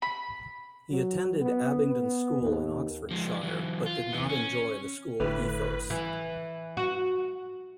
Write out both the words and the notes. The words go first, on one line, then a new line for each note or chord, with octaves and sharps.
He attended Abingdon School in Oxfordshire, but did not enjoy the school ethos.
B5
F#3
B3
B3
D#2
F3 G#3
E3 F#3
F4
E3 B3
C#4
G1 A2 D3 A3 B4
E3
F#4